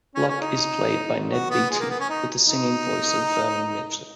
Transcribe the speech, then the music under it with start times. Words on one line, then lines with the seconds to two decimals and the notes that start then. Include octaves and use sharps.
Locke is played by Ned Beatty, with the singing voice of Vernon Midgley.
0.15 C#4
0.28 C#4
0.41 D#4
1.31 F#4
1.50 B3
1.71 G#3
1.79 A#3
1.90 B3
1.99 C#4
2.09 D#4
2.48 D#4